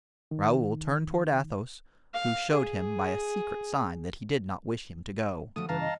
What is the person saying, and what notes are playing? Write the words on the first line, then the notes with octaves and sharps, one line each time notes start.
Raoul turned toward Athos, who showed him by a secret sign that he did not wish him to go.
D#3
F5
G#4
D3 F3 F#3 A3 D#6
G2 C#3 E3 B4 F5 A5 A#5
D#5